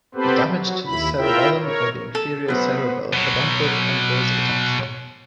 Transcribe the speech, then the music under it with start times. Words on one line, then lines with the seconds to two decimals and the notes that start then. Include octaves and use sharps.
The damage to the cerebellum or the inferior cerebellar peduncle can cause ataxia.
0.15 B3 C4 G4 A4 B4 C5
0.45 F#3
0.86 D#2 E4 B5
1.18 E4 F4 A#4 E5 G5
1.62 A#4 C#5
2.15 A4
2.48 B2 F#3 A3 B3 B4 C5
3.13 B2 F#3